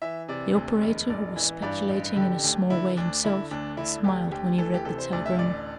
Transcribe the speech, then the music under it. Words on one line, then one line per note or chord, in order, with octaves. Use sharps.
The operator who was speculating in a small way himself smiled when he read the telegram.
E3 E5
C3 D5
D2
E1
A1 D5
E3
G2 D5
A1
D3 G4
D2
D3 E4
D2 D4
D3 E4
D2 D4
D3 E4
D2 G4
D2 G4
E3 A4
G4
C3 A4
C5
D2 D5
E5
A1 D5